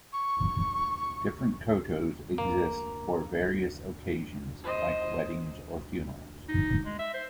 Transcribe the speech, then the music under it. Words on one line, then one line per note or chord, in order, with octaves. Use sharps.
Different kotos exist for various occasions like weddings or funerals.
C#6
A#3
C5 D#5
D#4
G#3
E5
C5